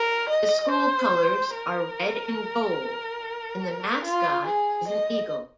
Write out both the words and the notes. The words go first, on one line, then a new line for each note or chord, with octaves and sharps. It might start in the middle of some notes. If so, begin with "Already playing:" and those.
The school colours are red and gold, and the mascot is an eagle.
Already playing: A#4
D#5
C5
A#4
F4
G#4
D#5